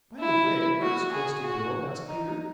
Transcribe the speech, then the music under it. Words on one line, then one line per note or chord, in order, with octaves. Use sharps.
"By the way, where does Cresty build?" asked Peter.
E4
F#4
G#4
F#4
D#4